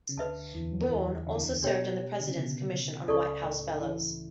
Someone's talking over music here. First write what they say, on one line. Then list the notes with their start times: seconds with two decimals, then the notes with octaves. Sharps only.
Bourne also served on the President's Commission on White House Fellows.
0.09 C#3
0.17 D2 D3 B4 E5 A5
0.54 E2 E3
0.90 E2 E3
1.27 D3
1.34 E3
1.43 D2 D3
1.63 B2 D4 G4 C#5 G5
2.20 D3
2.27 C#3
2.36 B2
3.07 C#2 C#3 A4 D5 A5 C#6
3.44 A2 A3
3.80 E3 E4